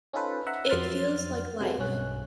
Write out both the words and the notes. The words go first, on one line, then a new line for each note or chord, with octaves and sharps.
It feels like life.
C#4 D#4 F4 A4 B4 C5
E5 F#5 A#5
F2 F#3 C6 F6 A6
C3 F#3 G#3 A3 B3
B1 G2 C#4 F#6